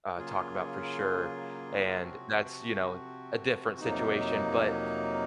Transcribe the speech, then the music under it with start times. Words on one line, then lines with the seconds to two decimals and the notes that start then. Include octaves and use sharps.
uh, talk about for sure and that's, you know, a different situation, but
0.16 C#3 F#3 A#3 F4 G#4
1.98 C3 F3 C4 F#4
3.80 F2 C3 F#3 A#3 D#4